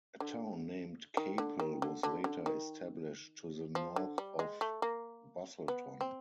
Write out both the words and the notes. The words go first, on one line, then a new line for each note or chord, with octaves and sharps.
A town named Capel was later established to the north of Busselton.
D3
D#3
D3
D#3
D3
D3
D3
D#3
F3
D3
G3
G#3
A3
A#3
B3
C4